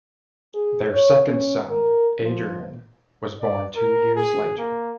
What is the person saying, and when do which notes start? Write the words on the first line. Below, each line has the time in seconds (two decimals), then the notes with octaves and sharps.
Their second son, Adrian, was born two years later.
0.54 G#4
0.94 C#5
1.28 C#4
1.70 A#4
2.23 F3
3.41 D5
3.76 A#4
4.16 G#4
4.58 A#3